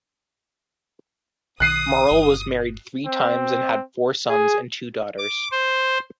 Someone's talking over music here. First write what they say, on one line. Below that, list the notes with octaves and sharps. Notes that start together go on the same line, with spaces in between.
Merle was married three times, and had four sons and two daughters.
B1 D#3 D#6 F#6 C7 D#7
G1
C4
G#4
D6
C5